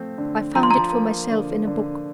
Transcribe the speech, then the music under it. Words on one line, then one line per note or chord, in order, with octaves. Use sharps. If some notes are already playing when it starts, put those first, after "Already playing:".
"I found it for myself in a book."
Already playing: F3 A3 C4
D3
F3 A#5
C6
A#5
A#3
D3
D3